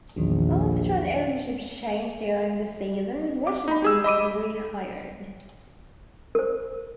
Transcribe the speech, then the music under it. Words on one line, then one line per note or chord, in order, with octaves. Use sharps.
After an ownership change during the season, Richardson was rehired.
A#1 E2 D#3 F#3
D6
D#4 B5
G4 G#4 E6
D#5 B5 D6 D#7
A#4 C5